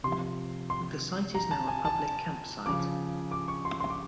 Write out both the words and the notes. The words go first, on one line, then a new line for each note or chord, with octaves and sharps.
The site is now a public camp site.
C3 F3 C6
C6
A#5
A5
G#5
A5
C#3 F3 D6
D6
C#6
C6
C6
D6